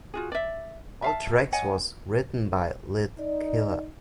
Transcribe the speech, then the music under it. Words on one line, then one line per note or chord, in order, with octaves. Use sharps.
All tracks was written by Lit Killah.
F4 F#4 G#4
D5 E5
E5 F5 A5
C#5 D#5 F#5 G#5
D#4 D5